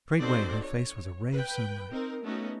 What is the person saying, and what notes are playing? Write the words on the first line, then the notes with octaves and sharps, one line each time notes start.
Straightway her face was a ray of sunlight.
C4 D#4 F#4 A4 C5 D5
C#5
B4 G5
C4 D#4 A#4
A3 B3 C#4 D#4 F#4